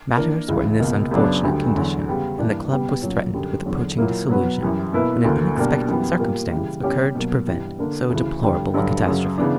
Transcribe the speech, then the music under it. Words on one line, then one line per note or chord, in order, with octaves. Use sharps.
Matters were in this unfortunate condition, and the club was threatened with approaching dissolution, when an unexpected circumstance occurred to prevent so deplorable a catastrophe.
E3 A#3 D4 A#4
C#2 C#3 E3
C#2 B2 A#3
F#2 C#3 F#3 B3 D4
D2 D3 G3
E2 D3 F#3
C#3 G3 B3
G2 E3 A#3 D4
B2 G3 B3
A#2 F#3 C#4 F#4
F#2 D3 G3
E2 D3 F#3
A#2 F#3 A#3 E4
B2 F#3 B3 F#4 B4
F#2 E3 G3
B2 A#3 E4 B4
D2 D3 A#3
B2 G3 A#3 D4
F#2 E3 G3 B3
A#2 G3 A#3
C#3 E3 G3
B2 G3 C#4 G4
B2 F#3 A#3
G2 E3 G3
D3 A#3 D4
D2 C#3 E3
G2 D3 G3
G2 D3 F#3
F#2 C#3 F#3
C#3 E3 B3 D4